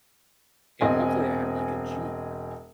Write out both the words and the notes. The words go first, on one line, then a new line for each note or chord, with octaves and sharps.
and luckily I had, like, a Jeep
E1 C4 D#5 G#5